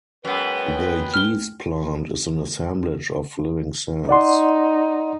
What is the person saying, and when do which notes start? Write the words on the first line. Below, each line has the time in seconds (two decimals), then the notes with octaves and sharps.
The yeast-plant is an assemblage of living cells.
0.25 F#2 G#3 B3 B4 G5
1.14 F6 G7
4.09 D#4 D5 F#5 C6